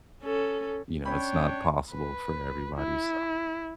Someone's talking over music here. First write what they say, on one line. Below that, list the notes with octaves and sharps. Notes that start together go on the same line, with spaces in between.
you know, it's not possible for everybody, so
C#4 A4
C#4 D4 C#5 G5 B5
B4
E4